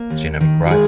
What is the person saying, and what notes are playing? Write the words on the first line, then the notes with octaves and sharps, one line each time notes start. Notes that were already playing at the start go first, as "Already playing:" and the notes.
She never cried.
Already playing: A#3
D#2
D#3
F#4
G#3 F4 G#4